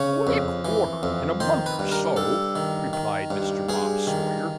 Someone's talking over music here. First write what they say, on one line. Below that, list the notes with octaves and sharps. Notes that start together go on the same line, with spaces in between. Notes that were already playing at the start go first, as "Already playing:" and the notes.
'Only a quarter, and a month or so,' replied Mr. Bob Sawyer.
Already playing: C#3 C#5
F2
E3
F2
D#3 C5
B4
G2
A#4
G2 A4
D#3
D#3
G2
G2 G#4
D#3